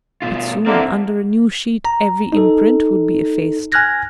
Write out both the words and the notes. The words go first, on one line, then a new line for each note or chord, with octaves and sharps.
But soon, under a new sheet, every imprint would be effaced.
G2 B2 F4
D3 A#3 C4 E4
A#5
D#4 A4
G#5 F6 F#6 G#6 A#6